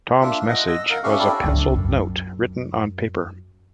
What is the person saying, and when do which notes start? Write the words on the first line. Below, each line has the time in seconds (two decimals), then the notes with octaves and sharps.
Thom's message was a "penciled note" written on paper.
0.22 A#3 D4 F4 E5
0.48 D#5 F#5
0.67 D#5 E6
0.90 A#4 F5 F#5
1.04 C#4 G4 A4 E5 F5 C#6
1.19 C4 D4 E4 A4 D5
1.44 C#2 D4
1.76 F#2